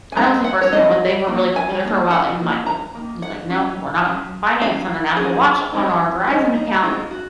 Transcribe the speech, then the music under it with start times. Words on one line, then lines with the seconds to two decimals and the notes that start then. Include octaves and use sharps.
I don't wanna say first came out when they were really popular for a while and my like, I was, like, "No, we're not financed on an Apple Watch on our Verizon account,"
0.12 G#5
0.16 G#3 C4 D#4 A#5
0.44 F#5
0.61 C#5
0.72 G#3 C4 D#4 D#5
1.27 D#3 A#3
1.56 G#5
1.84 D#3 A#3
2.11 F#5
2.39 D#3 A#3
2.67 A#5
2.95 D#3 A#3
3.22 F#5
3.50 F#3 C#4
4.06 F#3 C#4
4.61 F#3 C#4 F5
5.17 F#3 C#4 G#4
5.72 D#3 G#3 C4 D#4
6.27 D#3 G#3 C4 D#4 F#4
6.55 D#4
6.83 D#3 G#3 C4 D#4 F4
7.11 F#4